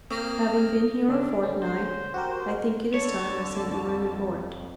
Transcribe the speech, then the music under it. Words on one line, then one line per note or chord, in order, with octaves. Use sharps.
Having been here a fortnight, I think it is time I sent you a report.
A#3 C4 D#6 A#6
C#3 D4
D3 C4 C#4
C5
F#4 G4 A#4
D3 C#5 A5
F2